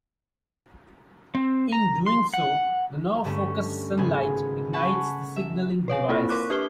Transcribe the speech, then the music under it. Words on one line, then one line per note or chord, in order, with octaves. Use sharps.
In doing so, the now focused sunlight ignites the signalling device.
C4
A#5
C6
F#5
G2 D3 G3 A3 C#4
G#1 C#3 B3 G#5
F#5 G#5 A5 B5 C#6
E5
B4 C#5 F5 G#5
A#3 C4 E4 F4 A4
A#4 C#6 D6 F#6
D4 G4 B4 F6 G7